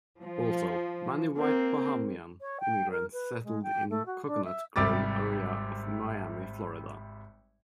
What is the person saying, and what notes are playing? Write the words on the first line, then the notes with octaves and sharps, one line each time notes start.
Also, many white Bahamian immigrants settled in the Coconut Grove area of Miami, Florida.
F3
A#3 C4
C#5
G5
A#4
B4
G#3
G5
A3
F#4
D4
E5
G#1 C3 G3 D6 A6